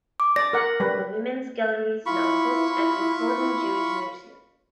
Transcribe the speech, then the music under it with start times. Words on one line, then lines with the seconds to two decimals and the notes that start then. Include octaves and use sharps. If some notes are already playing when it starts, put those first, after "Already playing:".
The women's galleries now host an important Jewish museum.
0.20 D6
0.36 D5 A#6
0.53 A#4 F#5
0.80 G3 B4
2.06 E4 F4 B5 C#6